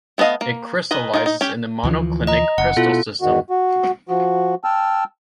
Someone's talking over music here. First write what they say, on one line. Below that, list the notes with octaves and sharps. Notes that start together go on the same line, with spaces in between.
It crystallizes in the monoclinic crystal system.
A3 B3 A#4 D#5 F5
A#3
D#3 B4 D#5
D#4 F4 G#4 A#4
D#4
C#4 G4
D2 E3 F3
D#5 A#5
F#1 F#5
B2 E4 F4 A4
E2 D#3 F#4
F#4
F3 F#4
G5 A5 E6 F6